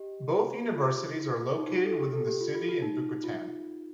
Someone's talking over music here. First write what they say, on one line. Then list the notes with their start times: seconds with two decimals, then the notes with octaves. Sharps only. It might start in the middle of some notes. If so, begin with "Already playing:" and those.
Both universities are located within the city in Bicutan.
Already playing: G4 D#5
0.75 F4
1.58 D#4
1.71 F4
1.85 A4
1.99 G4
2.13 A4
2.27 G4
2.41 F4
2.55 F4
2.69 F4
2.82 D#4
3.24 F4